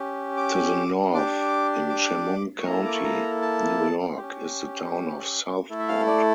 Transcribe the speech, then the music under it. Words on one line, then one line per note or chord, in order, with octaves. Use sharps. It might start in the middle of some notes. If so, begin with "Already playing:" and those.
To the north, in Chemung County, New York, is the town of Southport.
Already playing: C#4 G4
D6
D4 G4 D6
D6
C#6
A#3 E4 A4 A#5
D6
C#6
A#5
A5
C#4 G4
A3 E4 A4
E5
F5
D5